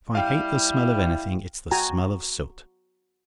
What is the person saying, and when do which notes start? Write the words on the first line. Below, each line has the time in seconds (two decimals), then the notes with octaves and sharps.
If I hate the smell of anything, it's the smell of soot.
0.15 G3 E4 F5 G5
1.71 F#4 G5 G#5 A#5